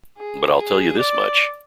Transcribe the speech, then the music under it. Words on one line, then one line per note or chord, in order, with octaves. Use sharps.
But I'll tell you this much.
G#4
G#4
D5